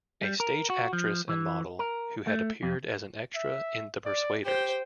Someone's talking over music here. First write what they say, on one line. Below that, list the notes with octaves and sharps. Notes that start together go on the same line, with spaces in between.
A stage actress and model who had appeared as an extra in The Persuaders!
G3
A#4
F#4
F3
E3
A#4
A3
F2
E5
D5
G4 C5 G5